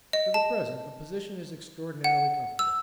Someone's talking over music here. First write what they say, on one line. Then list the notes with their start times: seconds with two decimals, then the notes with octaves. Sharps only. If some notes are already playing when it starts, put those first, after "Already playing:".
For the present the position is extraordinarily comfortable.
0.13 D#5
0.34 A5
2.04 F#5
2.59 E6